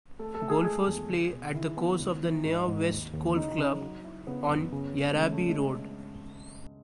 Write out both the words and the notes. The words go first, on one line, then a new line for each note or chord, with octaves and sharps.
Golfers play at the course of the Nyah West Golf Club on Yarraby Road.
A3 A4
A4
A3
G#4
G#3 G#4
E2
C#2
B2
D#3 E4
B3
C#2
E3
G#2 D#4
G#2
D#2
D#2
C#3 D#4
C#3
F#3
E4
C#3 B3
F#2
C#3
C#2
G#3
C#3 A3
A3
C#4
G#3